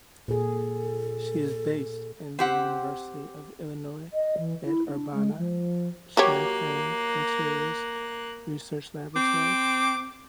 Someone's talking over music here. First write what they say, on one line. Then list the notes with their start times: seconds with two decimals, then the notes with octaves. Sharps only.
She is based in the University of Illinois at Urbana–Champaign Materials Research Laboratory.
0.28 A#2 G#4 A4
2.39 C4 G4 F#5
4.13 D#5
4.37 E3
4.64 E4
4.86 D4
5.14 G#3
5.37 F3
6.17 F#3 A#3 G4 C#5 F#6
9.16 C4 D6